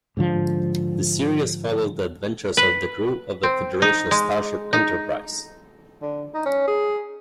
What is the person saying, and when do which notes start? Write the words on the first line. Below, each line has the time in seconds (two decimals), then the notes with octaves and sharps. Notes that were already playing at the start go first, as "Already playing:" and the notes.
The series follows the adventures of the crew of the Federation starship "Enterprise".
0.17 G#2 D3 F3
2.57 B4
3.43 C4
3.82 D#4
4.11 G#3
4.73 D#4
6.02 D3
6.34 D#4
6.46 C#4
6.67 G#4